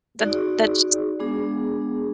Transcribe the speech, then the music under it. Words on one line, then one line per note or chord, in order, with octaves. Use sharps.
That that's just
D#4 F#4 G#4 D5
G#3 B3 D4 G#4